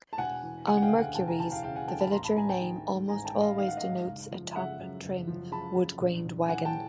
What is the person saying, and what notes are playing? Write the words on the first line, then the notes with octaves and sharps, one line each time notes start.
On Mercuries, the Villager name almost always denotes a top trim, wood grained wagon.
A5
E1 F#5 G#5
E3
C#3 F#5 G#5
F#5
F5 G5
D2
F#5 G#5
E1 G5 A5
G#5 A#5
E3 G5 A5
F5 G5
C#3 F5 G5
F#5 G#5
D2 G5 A5
A5 B5
A1 A#5 C6
A5 B5
A1 G#5 A#5
G5 A5
D#3
G#2
A1 G#5 A#5
G5 A5
A1
D#5 F5
D#3 F5
F#5
D#5 F5
G#2
F#1
F3
C#3 E5 F#5
F#2
F#1
F3
C#3 A5 B5
F#2
A#1
A#1
E3 F#5 G#5
G5 A5